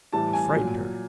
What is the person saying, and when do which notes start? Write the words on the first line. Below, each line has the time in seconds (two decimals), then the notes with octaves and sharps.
It frightened her.
0.13 A2 E3 G3 A5
0.33 G#5
0.54 A#2 F#3